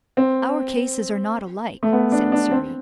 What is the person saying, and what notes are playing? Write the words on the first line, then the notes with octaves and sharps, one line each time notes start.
"Our cases are not alike," said Surrey.
C4
A3
B3
D4
D4
C4